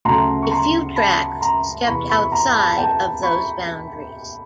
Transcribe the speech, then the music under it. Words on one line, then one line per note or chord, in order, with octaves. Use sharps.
A few tracks stepped outside of those boundaries.
D2 C#3 F#3 A3 A#5 C6
C#6
A#5 C6
A5 B5
A#5 C6
E2 C3 E3 B5 C#6
B5 C#6
A#5 C6
A5 B5
G5 A5
B5 C#6